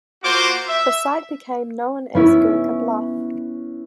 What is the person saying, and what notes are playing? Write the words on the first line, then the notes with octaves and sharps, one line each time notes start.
The site became known as 'Gurkha Bluff'.
A#3 F4 F#4 C5 D6
E5
B3 C#4 E4